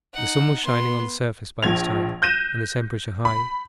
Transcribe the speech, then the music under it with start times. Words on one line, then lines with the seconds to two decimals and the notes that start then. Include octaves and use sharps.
The sun was shining on the surface by this time, and the temperature high.
0.14 D#4 F#5
0.64 B3 C6
1.63 A#1 F3 G#6 F7
2.22 F#6 G6 A#6 D#7 E7
3.25 B5